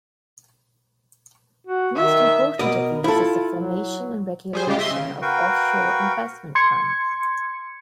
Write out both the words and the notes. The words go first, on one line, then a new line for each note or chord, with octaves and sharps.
The most important of these is the formation and regulation of offshore investment funds.
F#4
D#3 E5
B2 A#4 D5 D#5
E4 F4 A4
F#3
G3 G#4 C5
C#3 G3 G#3 F4 G4
D#5 E5 C6
C#3
F#4 A#4 B4 F5 G5 C#6
C6 G#6 C#7